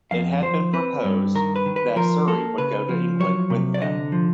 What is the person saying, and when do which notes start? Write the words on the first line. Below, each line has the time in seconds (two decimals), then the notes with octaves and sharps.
It had been proposed that Sirey would go to England with them.
0.11 F2 F5
0.42 F3 C5
0.73 C4 B4
1.04 G2
1.35 D#3 A#4
1.56 B4
1.66 D#3
1.76 B4
1.96 F3 A#4
2.28 A#3 A4
2.58 C#3 B4
2.89 F3
3.20 F#3 C#5
3.50 C3
3.74 D5
3.81 D3 D#5
4.12 F3